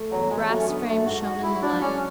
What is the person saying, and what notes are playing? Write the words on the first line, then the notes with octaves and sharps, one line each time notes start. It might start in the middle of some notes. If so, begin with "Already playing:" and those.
The brass frame shone in the light.
Already playing: A3
E2 F#3
E2 G#3
F#3 A3
C#4
D3 B3
F#3 A3
G#2 F#4
F#4 G#4
E4 G#4
F#3 D4
C#4 G#4